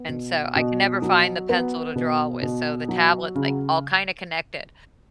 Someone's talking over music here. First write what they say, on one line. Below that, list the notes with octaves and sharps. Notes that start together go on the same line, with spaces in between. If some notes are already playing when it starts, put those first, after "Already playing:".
And so, I can never find the pencil to draw with. So, the tablet's, like, all kinda connected.
Already playing: B3
B2
B2
F#3
B3
B2
B2
F#3
C#3